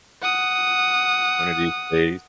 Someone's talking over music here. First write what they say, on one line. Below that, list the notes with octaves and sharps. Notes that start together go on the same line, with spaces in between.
one of these days.
F#5 D#6